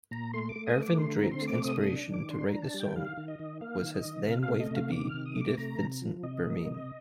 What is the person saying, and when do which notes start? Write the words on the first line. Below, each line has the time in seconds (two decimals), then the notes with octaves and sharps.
Ervin Drake's inspiration to write the song was his then wife-to-be, Edith Vincent Bermaine.
0.11 A#2 A#5
0.33 A3 C6
0.49 D6
0.56 A3
0.66 D#6
0.77 A3
0.83 D6
0.98 D3 C6
1.16 C4 A#5
1.31 C6
1.42 A3
1.48 D6
1.64 C3 D#6
1.81 D4 D#6
2.08 D#3
2.14 D6
2.30 D4 C6
2.47 D4 A#5
2.62 A5
2.74 G3
2.80 G5
2.96 D#3 F5
3.17 D#3
3.28 D#5
3.39 D#3
3.61 A#3 F5
3.83 D#3
3.94 D#5
4.05 D#3
4.26 C3 F5
4.43 F5
4.48 A3
4.60 D#5
4.71 C3
4.76 F5
4.92 D#3 D6
5.09 F6
5.14 C3
5.25 D#6
5.36 A3 D6
5.57 C3 A#5
5.80 C3
6.02 F3
6.23 C3 D#5
6.45 A#3
6.67 C3